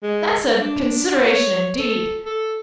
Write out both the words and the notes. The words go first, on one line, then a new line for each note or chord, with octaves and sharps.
That's a consideration, indeed.
G#3
D4
C#5
A4
A4